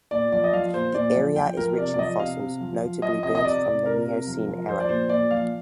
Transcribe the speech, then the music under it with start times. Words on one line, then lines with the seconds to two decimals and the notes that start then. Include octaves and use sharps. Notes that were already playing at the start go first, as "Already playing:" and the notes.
The area is rich in fossils, notably birds from the Miocene era.
0.11 A#2 D5
0.32 F3 D5
0.44 D#5
0.53 F3 F5
0.73 A#2 C5
0.94 A#2 D5
1.15 F3
1.36 F3 G5
1.57 F3 A#4
1.78 C3 D5
1.94 D5
1.98 F3 D#5
2.19 C3 F5
2.40 C3
2.61 F3
2.81 F3
3.02 F3 D#5
3.23 C3 D#5
3.35 D#5
3.44 C3 D5
3.65 C3 D5
3.86 C3 A#4
4.06 C3
4.27 F3
4.48 F3
4.69 F3 C5
4.80 D5
4.89 A#2 C5
5.09 A#2 D5
5.31 F3 F5